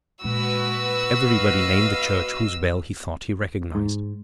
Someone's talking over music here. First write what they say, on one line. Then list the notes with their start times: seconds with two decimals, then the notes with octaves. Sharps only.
Everybody named the church whose bell he thought he recognized.
0.24 A#2 G#3 F#4 B4 E6
1.18 D#5 F5
3.75 G#2